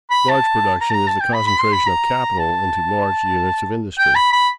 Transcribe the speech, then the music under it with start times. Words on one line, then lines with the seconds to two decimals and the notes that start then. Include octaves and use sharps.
Large production is the concentration of capital into large units of industry.
0.11 B5
0.29 A5
0.81 A#5
0.90 A5
0.94 A#5
1.08 A5
1.21 G5
1.34 B5
1.47 B5
1.61 C6
1.73 B5
1.87 A#5
2.39 A5
3.98 G5
4.15 B5
4.33 B5